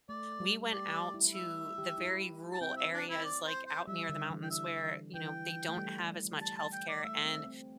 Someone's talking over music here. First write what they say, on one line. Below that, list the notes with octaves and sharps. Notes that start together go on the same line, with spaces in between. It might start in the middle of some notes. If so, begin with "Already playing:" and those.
we went out to the very rural areas, like, out near the mountains where, you know, they don't have as much healthcare, and
A3 D5
G3
G4 D5
G4
E4
E5
G4
E4
A5
C4 G5
E5
D4
E4
D5
C5
C5
G3 E5
D3
E3
G5
E5
E3 G5
A3
G3
A5
A5
G5
D5
A3 E5
C4
C4